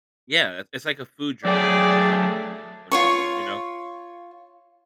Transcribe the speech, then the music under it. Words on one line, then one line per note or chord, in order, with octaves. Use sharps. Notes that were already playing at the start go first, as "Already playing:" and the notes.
Yeah, it it's, like, a food journal for some people or something, you know?
F#3 A3 G#4 D5 G5
F4 C#5 C#6